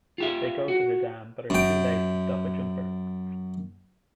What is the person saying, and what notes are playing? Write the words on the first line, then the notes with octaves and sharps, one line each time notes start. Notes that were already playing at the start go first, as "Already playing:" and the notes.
They go to the dam but are too late to stop a jumper.
F4 G4 E5
F#4
F#2 G5